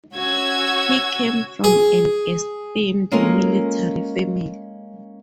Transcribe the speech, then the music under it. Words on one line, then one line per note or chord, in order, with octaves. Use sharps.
He came from an esteemed military family.
C#4 F#4 E6 G#6
G#4
G#3 A#3 C#4 F4 A4 A#4